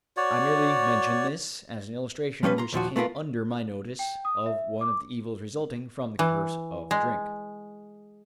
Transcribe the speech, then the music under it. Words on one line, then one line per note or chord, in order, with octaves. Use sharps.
I merely mention this as an illustration which came under my notice of one of the evils resulting from the curse of drink.
F#4 C#5 D5
F3 G3 C#4 B4
A#5 C6
D#2 A#2 F3 F#4
A3 B3 F4 G#4 A#4
G5
D#6
E5
D6
E3
G#3